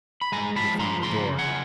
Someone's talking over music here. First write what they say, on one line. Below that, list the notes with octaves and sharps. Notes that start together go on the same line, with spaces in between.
It had found the door!
B5
G#3 G#5 A#5
F3 A5 B5
F3 A#5 C6
C#3 A#5 C6
C#3
F#5 G#5